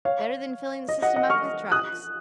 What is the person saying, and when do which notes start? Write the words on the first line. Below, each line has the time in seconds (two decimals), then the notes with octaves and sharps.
Better than filling the system up with drugs.
0.05 C#5 F5
0.88 D#5
1.02 D#5 F#5
1.16 D#5 F#5
1.30 C#6 F6
1.72 D#6 F#6